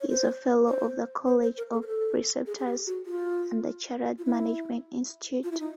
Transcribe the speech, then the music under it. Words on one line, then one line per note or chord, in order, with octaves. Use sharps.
He is a Fellow of the College of Preceptors and the Chartered Management Institute.
C#5
C5
C5
C5
C5
A#4
A4
A#4
A4
G#4
G#4
G4
F#4
F4
F4
E4
F4
E4
D#4